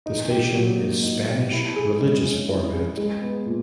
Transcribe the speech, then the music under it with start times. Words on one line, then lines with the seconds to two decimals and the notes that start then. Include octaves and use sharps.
The station is Spanish religious format.
0.06 D#4
0.30 G4
0.55 F#3
0.79 A#3
1.03 D#4
1.28 G4
1.52 E4
1.76 G#4
2.00 G#3
2.25 C#4
2.48 E4
2.73 G#4
2.97 G#3
3.22 B3
3.46 A#2